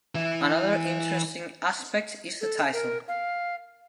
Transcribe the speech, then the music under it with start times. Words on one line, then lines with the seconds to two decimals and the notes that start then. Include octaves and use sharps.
Another interesting aspect is the title.
0.15 E3 E4
2.41 A4
2.73 A#4
3.08 F5